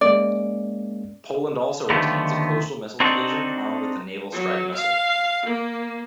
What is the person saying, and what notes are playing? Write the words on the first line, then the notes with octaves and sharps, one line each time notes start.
Poland also retains a Coastal Missile Division armed with the Naval Strike Missile.
G#3 A#3 C#4 D5
D#2 D3 D#3 F3 A3 B3
C4 D4 D#4 F#4 A4 D5
F#3
F5
A#3